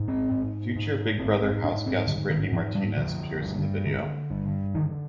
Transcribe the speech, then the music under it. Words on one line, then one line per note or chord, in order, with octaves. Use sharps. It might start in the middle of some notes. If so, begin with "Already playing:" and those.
Future "Big Brother" houseguest Brittany Martinez appears in the video.
Already playing: G#2
C4
G#2
G#2
G#2 C4
C4
G#2 D4
C4
G#2 D3
D#3
G#2 F3
G3
D3 F3
G2
D3
G2
D3 D#3